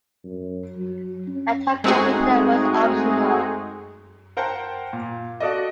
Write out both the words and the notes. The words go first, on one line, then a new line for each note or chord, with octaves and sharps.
A tachometer was optional.
F#2
F#3
C#4
G#3 A3 C4 D#4 F#4 G#4
A#4 C5 F#5 G5 A5
A#2
F#4 A4 D5 D#5